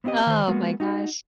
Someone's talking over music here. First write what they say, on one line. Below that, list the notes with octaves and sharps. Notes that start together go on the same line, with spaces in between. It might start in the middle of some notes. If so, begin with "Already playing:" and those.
Oh my gosh.
B3 C4 E4 G4 D#5
D#3 C5
G#3 A#3 B3 F#4
D#4 F#4